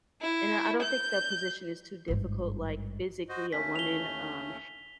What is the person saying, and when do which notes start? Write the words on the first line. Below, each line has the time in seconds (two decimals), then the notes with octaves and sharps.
and, uh, I don't think the position is too difficult, like, physically a woman, um,
0.22 E4
0.82 G6
2.08 G#1 G2
3.29 F#4 C5 D#5
3.53 D#2 A3 C#4 B6
3.76 F7 G7